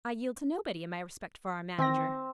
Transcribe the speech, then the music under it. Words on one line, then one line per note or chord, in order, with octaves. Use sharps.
I yield to nobody in my respect for our manager.
D#3 C4 G5 A#6